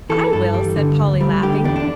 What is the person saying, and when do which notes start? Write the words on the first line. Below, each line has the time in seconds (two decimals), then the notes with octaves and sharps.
"I will," said Polly, laughing.
0.09 E3 A4
0.33 G2 A4
0.54 G3
0.76 D3
0.99 D2
1.21 G3
1.43 D3 G4
1.64 E2 D4
1.76 D4